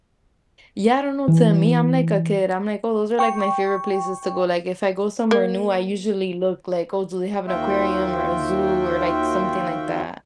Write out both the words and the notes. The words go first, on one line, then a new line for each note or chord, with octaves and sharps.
Yeah, I don't know, to me, I'm like a kid, I'm like, oh, those are like my favorite places to go. Like, if I go somewhere new, I usually look like, "Oh, do they have an aquarium or a zoo," or like something like that.
E3
G5 C#6
A#3
D#2 F4 F#4 E5 G5